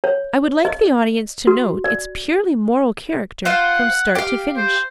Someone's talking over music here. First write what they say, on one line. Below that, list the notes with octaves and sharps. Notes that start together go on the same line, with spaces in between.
I would like the audience to note its purely moral character from start to finish.
C#5
D#5
F#4
D5
F4 C5 F5 F#5
G4 F5
C5